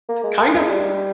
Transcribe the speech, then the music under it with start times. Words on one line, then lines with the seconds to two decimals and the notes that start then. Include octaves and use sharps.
kind of
0.09 A#3
0.24 G#3
0.39 A#3
0.54 G#3
0.70 G3